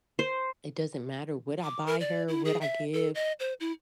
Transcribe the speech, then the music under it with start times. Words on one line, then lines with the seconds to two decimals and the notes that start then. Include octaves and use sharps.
It doesn't matter what I buy her, what I give.
0.19 C5
1.63 D6
1.86 A#4
2.00 D5
2.28 E4
2.45 G#4
2.61 E5
2.93 A4
3.15 D#5
3.40 C5
3.60 E4